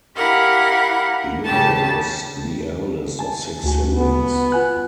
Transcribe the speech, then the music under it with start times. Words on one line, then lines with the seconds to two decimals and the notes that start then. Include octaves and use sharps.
Lubbe was the eldest of six siblings.
0.16 E4 G4 A#4 F5 F#5
1.44 C#3 G4 A5
3.19 G#5 A5
3.64 D2 F#4 G#5
3.97 B3
4.52 F4 G#5 F#6